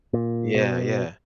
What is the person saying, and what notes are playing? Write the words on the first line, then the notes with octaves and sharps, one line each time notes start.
Yeah, yeah.
A#2
B2